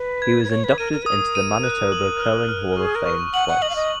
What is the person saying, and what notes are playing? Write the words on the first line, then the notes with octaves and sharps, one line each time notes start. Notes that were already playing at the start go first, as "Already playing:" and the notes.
He was inducted into the Manitoba Curling Hall of Fame twice.
Already playing: B4
G#6
B4
C#5 G#6
B4
A#4 D#7
A#4
B4
A#4 D#6
D#7
F#6
F#7
F6
F6
G#4 C#6
A#4
C#6
F#5 F#7
F#5
D#5 F#7
F5
D#5